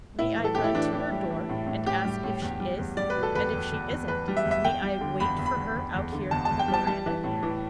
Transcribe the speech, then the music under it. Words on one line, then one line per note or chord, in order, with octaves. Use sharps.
"May I run to her door and ask if she is?--and if she isn't, may I wait for her out here on the veranda?"
A2 E4
E3
A4
A2 G4
E4
E3 D4
E3
G3
E3
A2
A2
A2 G4
G3
A2
E2
G3
E2
G3 D5
B4
B2
A4
E2 B4
E2
E2
E2
E2 B4
G3
E5
E2
E5
E2 G5
G3
D3
E2 B5
E2
B5
E2
E2
E2
D3
E2 A5
A5
E2
G5
G3
A5
G3 A5
E3
A2
E3